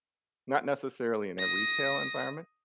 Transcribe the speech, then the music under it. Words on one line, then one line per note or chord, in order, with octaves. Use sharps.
not necessarily in a retail environment,
D#6 A#6